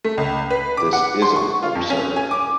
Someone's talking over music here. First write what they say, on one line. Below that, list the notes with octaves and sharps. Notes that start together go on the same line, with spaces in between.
This isn't absurd.
A3
C#2
B4
D6
F#5
C6
C#6
F4
F2
C#4
G#5
D6